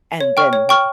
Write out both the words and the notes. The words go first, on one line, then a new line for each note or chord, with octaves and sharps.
and then, w
C#5
G5 C#6 F6
C#5
G5 C#6 F6